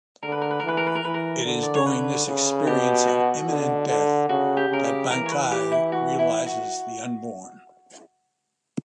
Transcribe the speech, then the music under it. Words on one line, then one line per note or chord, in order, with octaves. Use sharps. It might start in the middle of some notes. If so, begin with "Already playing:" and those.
It is during this experience of imminent death that Bankei realizes the unborn.
D3 A#4
B4
A#4
B4
A#4
E3 B4
A#4
B4
A#4
E3 B4
A#4
D3
D5
C#5
D3 B4
C#3
B2 G4
F#4
D3
D3
C#3 F#4
G4
C#3 A#4
G4
E3 A#4
C#5
B4
G4
E4
F#4
E4
F#4